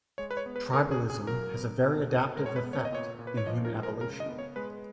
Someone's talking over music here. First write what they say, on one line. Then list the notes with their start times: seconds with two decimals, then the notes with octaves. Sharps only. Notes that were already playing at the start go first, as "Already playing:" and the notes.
Tribalism has a very adaptive effect in human evolution.
0.18 G#3 C#5
0.31 B4
0.37 C#5
0.46 B3
0.56 B4
0.73 C#3 A#4
0.91 G#4
1.01 C#3
1.10 G#4
1.27 F#3 A#4
1.55 B3
1.82 B2
2.10 B2
2.37 G#3 A#4
2.46 C#5
2.56 B4
2.64 B3
2.73 C#5
2.85 D#5
2.92 A#2 C#5
3.19 A#2
3.27 B4
3.37 C#5
3.46 F3 D#5
3.65 A#4
3.74 G#3
3.83 A#4
4.01 C#3 A#4
4.20 D#5
4.29 B3
4.39 C#5
4.56 G#3 B4